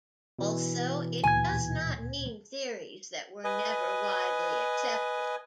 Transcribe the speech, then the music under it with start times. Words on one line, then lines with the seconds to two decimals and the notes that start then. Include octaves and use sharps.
Also, it does not mean theories that were never widely accepted.
0.39 B2 E3
1.24 D2 A#2 G#5 G#6
3.44 B4 D#5 G#5